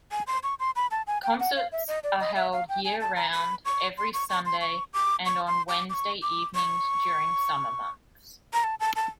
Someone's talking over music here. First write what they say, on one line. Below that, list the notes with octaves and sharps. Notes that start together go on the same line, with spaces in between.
Concerts are held year round every Sunday and on Wednesday evenings during summer months.
G#5
C6
C#6
C6
B5
A5
G#5
G5
F#5
F5
E5
D#5
D5
D#5
E5
F5
G5
G#5
A5
A#5
B5
C#6
C6
C#6
C#6
C6
C#6
D6
C#6
C6
D6
D6
C#6
D6
C#6
A#5
A5
A5
A5